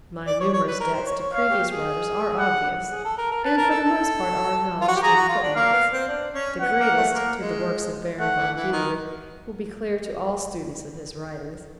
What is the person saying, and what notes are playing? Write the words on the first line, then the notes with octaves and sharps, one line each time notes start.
My numerous debts to previous writers are obvious, and for the most part are acknowledged in the footnotes; the greatest, to the works of Baron Von Hugely, will be clear to all students of his writings.
D5
C#5
C#5
B4
A#4
C5
C#5
C#5
C#5 F5
G4
G#4
F#5
G#4
A4
A#4
A#4
B4 A5
A#4
A4
A4
F4
F#4
G4
G#4 A#5
F#4
F4
D4
A#3 F5
B3
C4
D4
C#4
B3 F#5
A#3
A3
A#3
G#3
A3 F#5
E3
E3
D#3